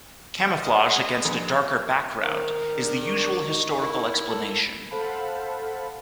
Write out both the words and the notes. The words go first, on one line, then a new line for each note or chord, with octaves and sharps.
Camouflage against a darker background is the usual historical explanation.
G#3 D#5
A#1
D#3 A#4 C5
D4 G#4
A#4 C#6
D#4 F#4
E4 A#4
A4
A4 C5 F5 F#5 A5 B5